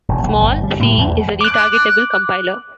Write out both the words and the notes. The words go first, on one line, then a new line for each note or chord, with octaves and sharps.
Small-C is a retargetable compiler.
E1
B1
G1
G3
A2
E2
D6 F#6